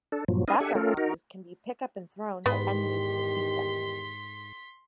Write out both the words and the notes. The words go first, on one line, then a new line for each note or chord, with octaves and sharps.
Background objects can be pick up and thrown at enemies to defeat them.
D4 A4
G2 A#2 F3 F#3
C#4 D#4 B4 D#5 F5 G#5
D4 G4 A4 E5 F#5 G#5
A3 C#4 F4 A4 A#4
D#4 F#4 A#4
E2 G#2 D#3 B3 G4 B4 C6 B6